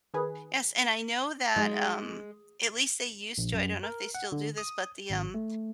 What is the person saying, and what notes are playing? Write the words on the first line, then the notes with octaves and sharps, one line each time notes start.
Yes, and I know that, um, at least they used to, I don't know if they still do this, but the, um
D#3 G#4 B4
F#3 G#3 D#4
A#1
F#2
A#4
F#5
D3
D#6
G#1
A3